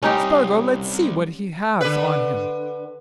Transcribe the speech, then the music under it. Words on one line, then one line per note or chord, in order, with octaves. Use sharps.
"Spargo, let's see what he has on him."
C2 C#4 D#4 G4
D3 B4